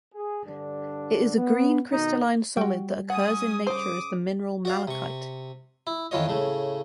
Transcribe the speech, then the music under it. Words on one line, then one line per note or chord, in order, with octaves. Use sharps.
It is a green crystalline solid that occurs in nature as the mineral malachite.
G#4
G2 D3 D4
B3
B2 D#3 D#4
G3 F#4 G5
C#4 F#5 G#5 D#6
C#3 C5 D6 D#6
F#4 D5 F5
C3 C#6
E4
F2 D#3 E3 F4 C#5 D#5
A2 C#3 A3